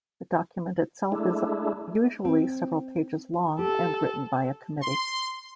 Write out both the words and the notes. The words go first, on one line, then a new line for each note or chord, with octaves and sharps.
The document itself is usually several pages long and written by a committee.
G#3 A3 D4 E4
C4
G4 A4
C6